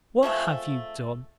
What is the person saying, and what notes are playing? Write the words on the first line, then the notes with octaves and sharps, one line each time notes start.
What have you done?
F3 G#3 A3 C4